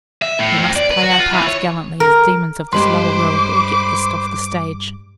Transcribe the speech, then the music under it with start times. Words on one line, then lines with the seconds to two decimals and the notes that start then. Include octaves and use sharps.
We must play our parts gallantly, as demons of this lower world, or get hissed off the stage.'
0.22 E5
0.40 A2
0.58 F2
0.76 D5
0.91 B4
1.03 F#4
1.19 F4
1.33 E3
1.46 C#5
2.00 A#4
2.73 G2 G#3 G4 B4 C5 C6 D6